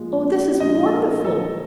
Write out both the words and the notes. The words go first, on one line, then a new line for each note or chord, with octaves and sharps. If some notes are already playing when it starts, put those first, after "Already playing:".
Oh, this is wonderful!
Already playing: A#2 F3 G#3
A#2 F3 G#3 D#5
A#4
A4